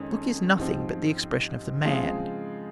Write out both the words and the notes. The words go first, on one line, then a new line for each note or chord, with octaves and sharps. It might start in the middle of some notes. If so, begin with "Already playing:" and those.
The book is nothing but the expression of the man.
Already playing: F2 D#3 G#3 C#4 G#4
G#2 F3 C4 G4
C#3 F3 G#3 C4 F4